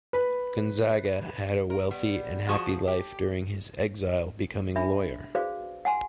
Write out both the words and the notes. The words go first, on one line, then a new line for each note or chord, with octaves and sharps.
Gonzaga had a wealthy and happy life during his exile, becoming a lawyer.
B4
A#4
G3 B3
F3 F#4 G#4 A5
G4
D4 E5 B5
F#4 G#4 B4 C5 D5 F5
F#5 G#5 C6